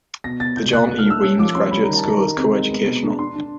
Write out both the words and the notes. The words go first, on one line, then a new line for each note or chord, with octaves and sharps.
The John E. Weems Graduate School is coeducational.
B2 A#6
B2 A6
B2 G6
A#2 F#6
A#2
F6
A3 E6
C#4 E6
F3 D6
C#4 C6
G3 B5
D#3 A#5
A5
D#3 A#5
D#3
C4
G#3
B3
B2
D4
D4 C6
D4